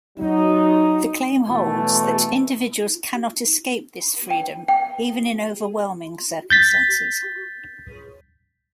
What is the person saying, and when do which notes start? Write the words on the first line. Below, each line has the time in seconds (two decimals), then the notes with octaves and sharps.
The claim holds that individuals cannot escape this freedom, even in overwhelming circumstances.
0.18 F#3 D#4
1.47 B2 E3 A3
4.30 G5
4.68 G5
6.50 G6 A6 B6